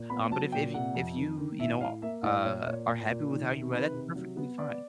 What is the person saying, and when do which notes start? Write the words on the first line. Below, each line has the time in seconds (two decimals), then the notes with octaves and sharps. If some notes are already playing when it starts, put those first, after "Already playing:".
um, but if if if you, you know, uh, are happy with how you are, that's perfectly fine.
Already playing: A#2
0.10 B3 B5
0.31 F#3 A5
0.52 A#2 G5
0.74 C3 F#5
0.95 F2
1.16 D#3
1.38 D#3
1.59 A2 E5
1.80 A2 F5
2.02 A#3 E5
2.23 A2 D5
2.44 A#2 C#5
2.66 A#2 C#5
2.87 A#2
3.09 A#2
3.30 D#3
3.51 C3
3.72 D#3 B4
3.94 C3
4.15 F#3
4.37 B3
4.58 B3 D5